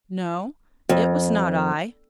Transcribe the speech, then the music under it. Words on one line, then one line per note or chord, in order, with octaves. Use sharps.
"No, it was not I."
F2